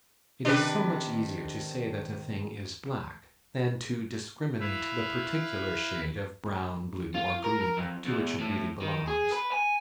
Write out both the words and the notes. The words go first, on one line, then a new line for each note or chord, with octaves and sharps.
It is so much easier to say that a thing is black, than to discriminate the particular shade of brown, blue, or green, to which it really belongs.
C3 D#3 D4 B4
E4 B4 E5 F5
F4
A#4
A#4
F2
E2
A2
D#3
G#4
B4
G#5